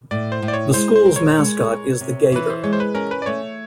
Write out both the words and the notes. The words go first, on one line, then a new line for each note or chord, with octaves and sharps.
The school's mascot is the Gator.
A2 D5
C5
A2
D5
C#5
G#3 C5
C5
A#4
C#5
G#3
A#4
C3
E3 B4
C5
G#3 C#5
C5
B4
C#4 A#4
B4
D5
A3 C#5